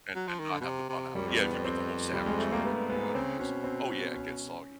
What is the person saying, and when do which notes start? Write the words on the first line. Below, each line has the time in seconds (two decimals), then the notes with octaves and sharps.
and and not have the bun out yeah, if you put the whole sandwich in or whatever it is oh, yeah, it gets soggy,
0.15 F#3
0.28 F3
0.39 D#3
0.52 D3
0.61 B2
0.65 C3
0.89 C3
1.15 F#2 G3
1.27 F2
1.40 E2 B3
1.52 F2
1.65 C4
2.13 G3
2.26 G#3
2.38 A3
2.52 A#3
2.64 G2 B3
2.90 G#2 B3
3.14 C#3 C4
3.39 B2 C#4
3.64 C4
4.14 C#4